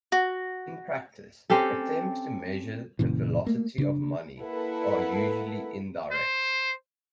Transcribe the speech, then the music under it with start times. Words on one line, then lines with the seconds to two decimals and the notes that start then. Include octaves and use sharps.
In practice, attempts to measure the velocity of money are usually indirect.
0.12 F#4
1.50 C4 C#4 G4 A4
2.99 F#1 A#2 C#3 E3
3.46 A3 A#3
3.78 C#3 C#4 D4
4.41 A#3 E4 A4 B4 F#5
6.12 C5